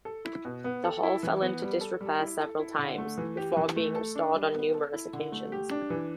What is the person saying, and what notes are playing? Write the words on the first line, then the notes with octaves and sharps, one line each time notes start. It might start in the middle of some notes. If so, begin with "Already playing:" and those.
The Hall fell into disrepair several times, before being restored on numerous occasions.
A4
E4
B2
B3
A4
E4
E3
B3
G3
A4
G3
E4
A4
E4
D3
A3
E3
G4
E3
A3
A4
D4
G3
B3
A4
E4
D3
A3
G4
D4
E3